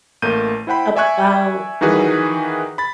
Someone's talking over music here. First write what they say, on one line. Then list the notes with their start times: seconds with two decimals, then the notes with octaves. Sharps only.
about, um
0.22 A1 A3 A#3 G6 D#7
0.67 E4 C5 F#5 G5 B5
0.96 D5 E5 G#5 C#6 F#6 G#6
1.81 D#3 E3 D#4 F#4 G#4 B4
2.78 B5 A6